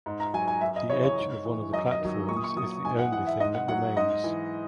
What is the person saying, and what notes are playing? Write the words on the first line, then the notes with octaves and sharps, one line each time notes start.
The edge of one of the platforms is the only thing that remains.
G#2
A#5
F#3 G#5
G#5
F#2 E5
D#5
C#3 E3 C#5
C#5
G#2
E3
F#2 D#5
D#5
D#3 F#3
A#2 C#6
D#6
C#6
F#3 D#6
G#2 G#5
F#5
E3 F#5
E5
G#2 D#5
F#5
F#3 F#5
G#2 D#5
E3